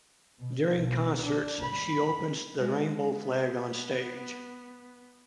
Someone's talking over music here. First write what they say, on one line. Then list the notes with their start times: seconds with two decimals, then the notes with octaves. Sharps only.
During concerts she opens the rainbow flag on stage.
0.38 B2
0.76 B1
1.24 D4
1.60 B5
2.59 G#3
3.13 B3